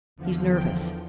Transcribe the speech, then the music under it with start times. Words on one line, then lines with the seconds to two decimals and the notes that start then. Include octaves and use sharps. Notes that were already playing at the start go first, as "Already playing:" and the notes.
He's nervous.
0.16 E2 D3 F3
0.51 G5